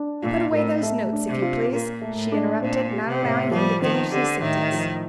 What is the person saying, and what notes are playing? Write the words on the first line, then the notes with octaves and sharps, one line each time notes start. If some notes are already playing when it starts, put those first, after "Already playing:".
"Put away those notes, if you please," she interrupted, not allowing him to finish his sentence.
Already playing: D4
A#2 F4
A2 A#4
A3
D4
C3
F4
A#2 A#4
A3
A2
D4
A#2 C4
G4
C3
A2
F3 G3
D#3 C4
D3 G4
A2 D#3
F3